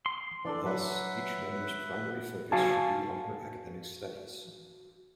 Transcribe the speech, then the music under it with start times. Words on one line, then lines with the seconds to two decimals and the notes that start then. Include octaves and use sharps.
Thus, each member's primary focus should be on her academic studies.
0.06 C6
0.45 E3 D4 A4 D5
0.65 F#3 B4 E5 F#5
2.52 F#4 F5 G#5 A5